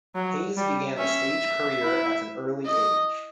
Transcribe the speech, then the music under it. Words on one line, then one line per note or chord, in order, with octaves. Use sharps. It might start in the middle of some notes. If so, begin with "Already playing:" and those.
Hayes began a stage career at an early age.
F#3
G3
C#4 E5
E4
D#5